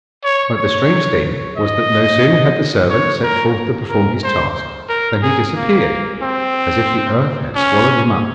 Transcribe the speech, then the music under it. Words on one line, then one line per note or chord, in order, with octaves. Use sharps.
But the strange thing was that no sooner had the servant set forth to perform his task than he disappeared, as if the earth had swallowed him up.
C#5
C#5
D#5
C#5
A#4
A#4
C5
A#4
G#4
A#3
C4
C#4